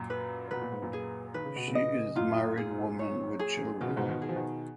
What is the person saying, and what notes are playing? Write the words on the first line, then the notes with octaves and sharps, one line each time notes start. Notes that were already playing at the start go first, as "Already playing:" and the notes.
She is married woman with children.
Already playing: F#2 A#2
B4
B2 B4
A#2
G#2
F#2 A#2
G#4
D#3 B4
C#3
B2
A#2 C#3
D#5
F#2 A#2 F4
G#4
C#5
G#4
B2 F4
C#3
G#2 B2
B2 D#3
G#4
F3
B2 D#3